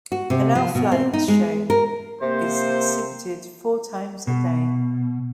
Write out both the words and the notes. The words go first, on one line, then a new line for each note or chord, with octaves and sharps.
An owl flight show is exhibited four times a day.
F#4
C3
F3
B2
C4
D#4
G#3
A#4
C3 A#3 C5
B2